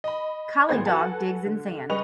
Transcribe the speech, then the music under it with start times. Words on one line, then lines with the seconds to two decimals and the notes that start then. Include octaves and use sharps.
Collie dog digs in sand.
0.04 D#5 B5
0.69 G#1 A2 B3 G#4 C5 G#6
0.86 F#4 A4 B4 F#5 G#5 A5
1.46 D3
1.89 C#3 G3 B4 D#5 C#6 F7